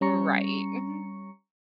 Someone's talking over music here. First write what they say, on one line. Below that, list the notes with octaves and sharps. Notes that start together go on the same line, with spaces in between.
Right. Mhm.
G3 C#4 A#5 C#6 C#7